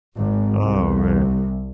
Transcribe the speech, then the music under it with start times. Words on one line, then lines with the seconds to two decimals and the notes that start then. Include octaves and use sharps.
Oh, man.
0.16 G#1
0.63 C2